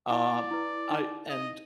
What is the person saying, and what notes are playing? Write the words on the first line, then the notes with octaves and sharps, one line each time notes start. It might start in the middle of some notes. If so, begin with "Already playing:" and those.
Um, I and
E4 D5 A5
E4 B4
D#4
D#5